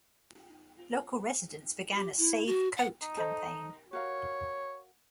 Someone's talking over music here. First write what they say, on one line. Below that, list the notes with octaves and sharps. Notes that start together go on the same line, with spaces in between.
Local residents began a "Save Coate" campaign.
G4
E4
F#4
F#5
D#4
A4 C5 D#5
F#4 A#4 C#5 F5